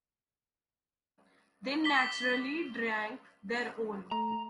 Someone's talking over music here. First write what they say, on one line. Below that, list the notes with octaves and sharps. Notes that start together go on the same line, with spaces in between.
They naturally drank their own.
D6 B6 G7
A3 A#5